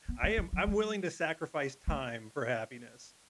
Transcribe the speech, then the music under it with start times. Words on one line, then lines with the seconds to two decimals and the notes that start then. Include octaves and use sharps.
I am I'm willing to sacrifice time for happiness.
0.08 B3
0.23 A3
0.38 G3
0.53 F#3
0.67 G3
1.87 A3